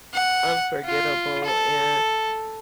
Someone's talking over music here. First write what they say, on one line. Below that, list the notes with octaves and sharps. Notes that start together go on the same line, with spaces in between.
unforgettable, and
F#5
F4
A4